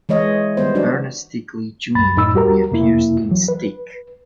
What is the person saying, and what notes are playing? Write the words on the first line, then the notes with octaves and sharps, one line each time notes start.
Ernest Stickley, Junior reappears in "Stick".
E3 G#3 C#5 D#5
D#3 G3 B3 C5
F#3 D4 D#4 F#4 D5
C2 F#2 B5 A6
F#2 A2 D#4 B5 E6
D#2 G3 F#4 G4 A#4 A#5
F2 C3 A#3 E4
C2 E3 F#3
B4